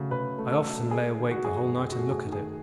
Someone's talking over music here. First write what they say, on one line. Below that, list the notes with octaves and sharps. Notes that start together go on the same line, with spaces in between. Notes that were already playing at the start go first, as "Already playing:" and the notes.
I often lay awake the whole night and look at it.
Already playing: C#3 F#3 A3
C#3 B4
A3
A4
F#3
A3 G#4
D#3
F#4
F#2 G#4
F#4
F#2
F#4
A3
G#4
D#3
G#4